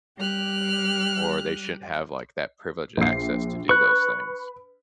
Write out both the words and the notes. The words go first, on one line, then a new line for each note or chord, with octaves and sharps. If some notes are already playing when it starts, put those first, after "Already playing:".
or they shouldn't have like that privileged access to do those things.
G3 G4 F6 F#6
A#1 C7
B4 C#6 F#6